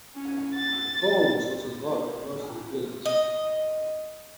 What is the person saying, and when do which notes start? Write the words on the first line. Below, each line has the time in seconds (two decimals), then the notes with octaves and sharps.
Coal was also dug close to the village.
0.15 C#4
0.55 A6
3.05 D#5